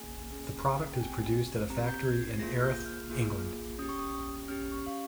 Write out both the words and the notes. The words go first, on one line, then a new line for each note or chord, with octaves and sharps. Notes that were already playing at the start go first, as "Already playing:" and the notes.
The product is produced at a factory in Erith, England.
Already playing: A#3 C#4 G#4 G#5
A#3 C#4 G#4
G5
C4 G4 G#5
C4 G4 A#5
G6
G#6
C7
A#3 F4 G#4 A#6
G6
F6
A#3 F4 G#4
C#4 G4 D#6
C#6
D#6
C#4 G4 F6
C#6
F5